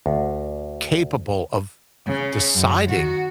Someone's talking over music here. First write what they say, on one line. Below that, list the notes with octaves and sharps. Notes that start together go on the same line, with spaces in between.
capable of, of deciding
D2
C#3
F#2
D#3 F#4